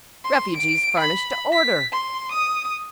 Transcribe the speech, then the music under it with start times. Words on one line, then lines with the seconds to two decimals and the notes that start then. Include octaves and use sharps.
Refuges furnished to order.
0.24 C6
0.57 D7
1.00 B5
1.52 B6
1.92 C6
2.32 D#6